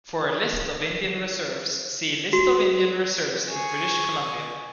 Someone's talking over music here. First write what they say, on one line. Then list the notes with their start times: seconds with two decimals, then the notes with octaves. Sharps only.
For a list of Indian Reserves, see List of Indian reserves in British Columbia.
2.33 F#4
3.50 G#4 C#6